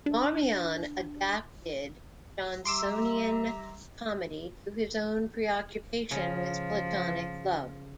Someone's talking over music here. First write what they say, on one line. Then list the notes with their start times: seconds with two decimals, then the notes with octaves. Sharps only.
Marmion adapted Jonsonian comedy to his own preoccupation with Platonic love.
0.06 D4
2.65 G3 E5 A#5 C6 D6 E6
6.11 C#3 F3